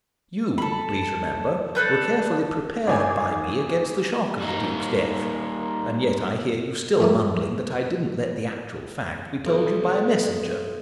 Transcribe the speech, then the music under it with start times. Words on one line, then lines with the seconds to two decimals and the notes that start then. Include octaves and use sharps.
You, please remember, were carefully prepared by me against the shock of the Duke's death; and yet I hear you still mumbling that I didn't let the actual fact be told you by a Messenger.
0.58 A4 B5
1.75 D4 A4 B4 G6
2.87 G#1 G#5 D6
4.40 G3 A#3 D#4
7.00 F2 A3 A#3
9.46 B1